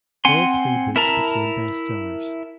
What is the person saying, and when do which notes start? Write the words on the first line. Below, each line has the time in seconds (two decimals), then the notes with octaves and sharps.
All three books became bestsellers.
0.25 C4 F#5 G#5 C6
0.96 E4 A#4 A5 A#5